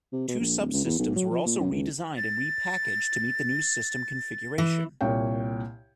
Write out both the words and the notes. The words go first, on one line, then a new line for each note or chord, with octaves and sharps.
Two subsystems were also re-designed and re-packaged to meet the new system configuration.
C3
B2
A#1
D1
C#2
E2
B1
F#3
F3
A#2
F#2
C#2
A6
E3
C2 A#2 C#5 G5